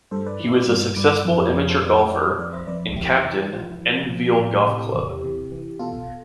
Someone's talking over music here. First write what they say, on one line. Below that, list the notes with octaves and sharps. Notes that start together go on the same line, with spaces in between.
He was a successful amateur golfer and captained Enville Golf Club.
G2 A4 C5
B4 D5
E3
E5
B4 D5
G2
G2 B4 D5
F2 F4
F4
F3 F4
A4 C5
F2 B4 D5
F2
F2 B4 D5
C5 E5
F2 B4 D5
F2 E4 G4
E3
F3 F4
E4
F3
F4
F3
A2
C3 E4 G4
E2
C3
E3
B2 F4 A4